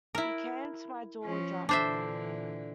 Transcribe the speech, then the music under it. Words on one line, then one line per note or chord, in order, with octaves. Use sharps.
He came to my door, drunk.
E4 A#4
F3 C#4
A#2 D3 E3 D4 C5 E5